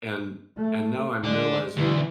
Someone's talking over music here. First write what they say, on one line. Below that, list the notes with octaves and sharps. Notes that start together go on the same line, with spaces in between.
And and now I'm realizing,
A3
D3 G#3 D5
D2 B2 E3